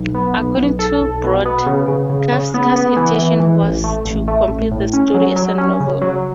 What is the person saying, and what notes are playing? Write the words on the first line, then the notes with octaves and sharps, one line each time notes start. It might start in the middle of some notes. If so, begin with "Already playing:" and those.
According to Brod, Kafka's intention was to complete the story as a novel.
Already playing: B1
B3
B1
B1
A4
B1
B2
B3
C#3
C#3
C#3
C#3
B3
B3
E3
E3
E3
A1
A3
A1
A3
A1
A2
C#4
F#3
F#3
C#4
C#3
F#3